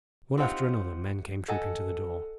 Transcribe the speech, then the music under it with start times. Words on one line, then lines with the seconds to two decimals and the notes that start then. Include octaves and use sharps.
One after another, men came trooping to the door.
0.38 C4 D#4 F4 G4 C5 F#5
1.48 A4 D#5 F#5 G#5